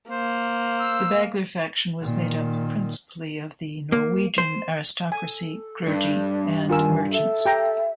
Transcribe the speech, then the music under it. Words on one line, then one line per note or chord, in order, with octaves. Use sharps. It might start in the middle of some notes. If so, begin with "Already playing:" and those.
The Bagler faction was made up principally of the Norwegian aristocracy, clergy and merchants.
A#3 C5
E6
A#2 D#3
A#3
C5
A4 G#5
G2
D#3 F4 A#4 G#5 E6
A4 E5
G4 G5 A#5